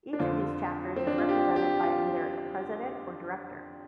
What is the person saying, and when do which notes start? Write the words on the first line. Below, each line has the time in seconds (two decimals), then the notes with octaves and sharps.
Each of these chapters is represented by either a president or director.
0.13 D4
0.19 F2 D3 F3 F4
0.96 C4
1.07 D4
1.18 F4
1.29 G4
1.56 G4
1.83 F4